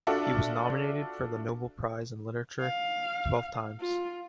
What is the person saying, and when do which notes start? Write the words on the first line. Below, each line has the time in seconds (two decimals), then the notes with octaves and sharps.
He was nominated for the Nobel prize in literature twelve times.
0.07 D4 F4 F#4 A4 D5 E5
2.61 F5
3.80 F4